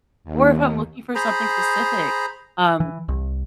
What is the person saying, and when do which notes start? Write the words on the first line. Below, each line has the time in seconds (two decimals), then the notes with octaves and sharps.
Or if I'm looking for something specific, um
0.24 D#2
1.15 G#4 C5 A#5 B5
2.80 E3
3.08 C2